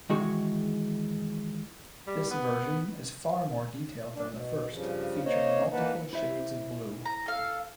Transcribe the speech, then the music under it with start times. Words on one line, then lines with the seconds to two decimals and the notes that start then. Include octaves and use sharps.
This version is far more detailed than the first, featuring multiple shades of blue.
0.10 D#3 E3 G#3 F#4 G#4
2.07 G3
2.30 B3
4.15 F#2 D4
4.31 B2
4.72 G2 C#3 F3
5.25 A#3 D#4 C5 C#5 D#5
5.73 E3 A#3 D#4 B4 F#5 A5
6.13 E4 C5 E5
7.05 A#5
7.26 A4 F5